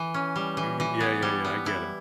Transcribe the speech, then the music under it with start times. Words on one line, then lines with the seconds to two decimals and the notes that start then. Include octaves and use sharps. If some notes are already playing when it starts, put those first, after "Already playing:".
y y yeah, yeah, yeah, I get it.
Already playing: E3
0.14 C#4
0.36 G3
0.57 E3
0.80 E3
1.01 B3
1.23 G3
1.45 B3
1.66 E4